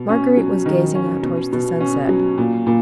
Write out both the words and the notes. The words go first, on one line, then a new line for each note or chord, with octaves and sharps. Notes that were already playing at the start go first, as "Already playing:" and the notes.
Marguerite was gazing out towards the sunset.
Already playing: B2
C#4
F#3
D#3
C#4
B2
B2
C#4
F#3
A#2
A#2